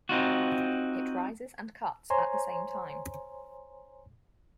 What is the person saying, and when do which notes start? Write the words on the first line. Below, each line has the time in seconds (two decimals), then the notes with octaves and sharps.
It rises and cuts at the same time.
0.09 C4 D#4 F4 F#4
2.10 C5 C#5 G#5 A#5 C6